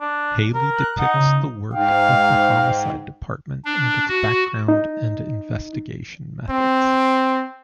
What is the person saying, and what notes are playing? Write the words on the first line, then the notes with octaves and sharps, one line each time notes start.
Hailey depicts the work of the homicide department and its background and investigation methods.
D4
A#4
F#6
D#4 F#5
C#3
G#2 F5 G5
D4
F#4
D#4
C4